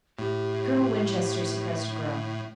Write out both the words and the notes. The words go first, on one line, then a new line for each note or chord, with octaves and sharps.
Colonel Winchester suppressed a groan.
A2 G4